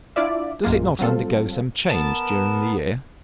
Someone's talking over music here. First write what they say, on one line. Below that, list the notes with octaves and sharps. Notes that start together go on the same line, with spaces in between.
Does it not undergo some change during the year?
D4 E4 F4 D5 E5
A#1 F#2 G#3 A#3 F4
F#3 G3 C4 F4 A4
B3 A#4 B4 A5